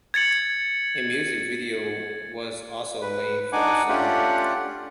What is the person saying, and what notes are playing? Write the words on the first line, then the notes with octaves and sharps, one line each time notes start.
A music video was also made for the song.
G#6 A6 C#7 F#7
B4
D4 D#4 F#5 G#5 D6
A3 C#4 D4 F4 G4 F#5